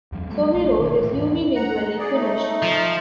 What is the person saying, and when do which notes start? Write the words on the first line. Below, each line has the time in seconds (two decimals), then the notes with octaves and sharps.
Somero is unilingually Finnish.
0.12 E2 G2 F3
0.29 F#3 G3 A3 C4
0.54 A#1 A3
0.79 D1 B2 D#3 A#3
1.02 A2 E3 A3
1.15 D#2 G#2 E3
1.55 F#5 A#5
1.98 G#4 D5
2.14 A3 D#4
2.63 F3